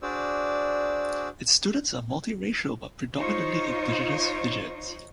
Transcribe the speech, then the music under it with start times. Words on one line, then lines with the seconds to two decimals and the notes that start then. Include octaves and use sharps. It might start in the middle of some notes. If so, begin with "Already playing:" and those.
Its students are multiracial, but predominantly Indigenous Fijians.
0.02 D4 F#4 G#4 C5 D5 E6
3.18 D#4 F4 C5 C#5